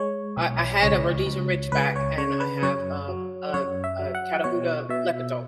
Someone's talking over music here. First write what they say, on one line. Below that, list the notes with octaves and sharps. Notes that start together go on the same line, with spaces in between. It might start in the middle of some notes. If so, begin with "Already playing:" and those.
I I had a Rhodesian Ridgeback, and I have uh uh uh, Catahoula Leopard dog.
Already playing: G#3 C#5
B1
C#2 C#5
C#2
C#2 B4
C#5
C#3 C#5
B4
F#2 C#5
F#3
F#2 C#5
E5
F#3
F#5
B2 C#5
B2 E5